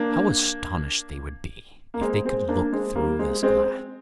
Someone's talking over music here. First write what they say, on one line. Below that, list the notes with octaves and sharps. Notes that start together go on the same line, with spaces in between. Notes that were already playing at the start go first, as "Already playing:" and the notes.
How astonished they would be if they could look through this glass!
Already playing: A#3 D4
A#3
G#3 C4
G#3 C4
A#3 D4
G#3 C4
G3 A#3
G#3 C4
G#3 C4